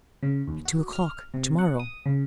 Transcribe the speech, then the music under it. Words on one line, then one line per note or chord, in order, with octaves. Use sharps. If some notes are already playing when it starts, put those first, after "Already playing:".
"At two o'clock to-morrow."
C#3
D#2
F#4
F6
C3
F#5
D#6
C#3